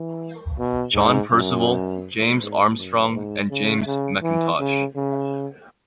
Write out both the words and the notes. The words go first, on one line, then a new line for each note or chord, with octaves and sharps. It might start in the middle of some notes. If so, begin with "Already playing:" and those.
John Percival, James Armstrong, and James McIntosh.
Already playing: E3
B2
G#2
F#2
G#2
F#2
G#2
C#3
C#3
E3
C#3
C#3